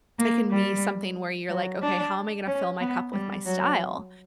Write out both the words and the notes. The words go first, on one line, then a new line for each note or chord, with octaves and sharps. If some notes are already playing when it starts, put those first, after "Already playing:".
it can be something where you're like, "Okay, how am I gonna fill my cup with my style,"
A#3
G3
F#3
D4
C#4
B3
G3
F#3